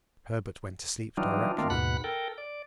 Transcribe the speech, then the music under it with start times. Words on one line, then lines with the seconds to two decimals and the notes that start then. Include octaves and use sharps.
Herbert went to sleep directly.
1.17 E3 F#3 G3 D4 D#4 F4
1.58 D#3 A3 A#3 C4 D4 F4
1.70 D#2 G#2 B2 F#5 B5 F#6
2.04 A4 A#4 G5
2.38 D5